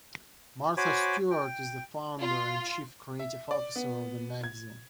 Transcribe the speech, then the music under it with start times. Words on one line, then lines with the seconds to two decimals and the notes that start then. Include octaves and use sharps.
Martha Stewart is the Founder and Chief Creative Officer of the magazine.
0.77 F#4 C5 C#5 G#5 B5 D6
1.31 G5
2.20 F4
3.19 E5
3.51 D5
3.76 B3
4.43 G#6